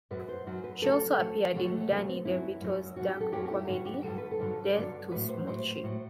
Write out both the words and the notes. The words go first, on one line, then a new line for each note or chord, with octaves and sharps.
She also appeared in Danny DeVito's dark comedy, "Death to Smoochy".
F#2 F#3 B4
C5
F#2 F#3
B4
D2 D3 F#3 A4
D2 D3 F#3
D2 D3 F#3 G4
A3
D2 D3 F#3 B3
C4
F#2 F#3 E4
F#2 F#3
F#2 F#3 F#4
G4
A4
F#2 F#3 G4
F#4
E4
G2 D3 F#3 F#4
G4
G2 D3 F#3 A4
B4
A4
G2 D3 F#3
G2 D3 F#3 D5
A2 F#3 B4
C5
A2 F#3 C5
A2 F#3